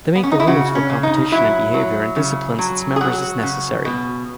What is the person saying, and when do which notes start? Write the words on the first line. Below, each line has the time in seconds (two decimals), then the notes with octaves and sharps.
They make the rules for competition and behavior and disciplines its members as necessary.
0.15 B3
0.23 C#4
0.32 D#4
0.40 E4
0.47 C#3 F#4
0.75 C#4
0.89 C#3
1.03 D#4
1.32 F#3 E4
1.74 F#3
2.16 C#3
2.59 F#3
2.96 G#4
3.01 F#3 F#4
3.43 C#3
3.85 B2